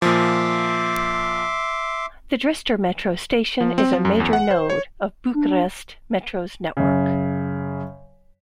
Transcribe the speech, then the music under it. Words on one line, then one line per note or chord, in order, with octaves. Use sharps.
The Dristor metro station is a major node of Bucharest Metro's network.
A#2 F3 E5 C6 D6
F3
C4
F3
F#2
E2
F#5
C5
C#5
D4
F#2 C#3